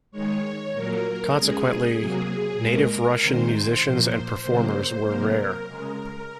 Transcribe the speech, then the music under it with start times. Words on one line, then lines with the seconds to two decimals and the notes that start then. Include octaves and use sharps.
Consequently, native Russian musicians and performers were rare.
0.11 D#3 G#3 C#5
0.73 A#2 F#3 A#3 A#4
1.35 C#3 G#3 G#4
1.97 C3 F#3 A#3
2.58 A#2 G#3 A#4
3.20 C3 D#3 G#3 C5
3.82 A#2 F3 A#3
4.44 C#3 F#3 A#3
5.06 C3 F#3 A#3 A#4
5.67 C#3 G#3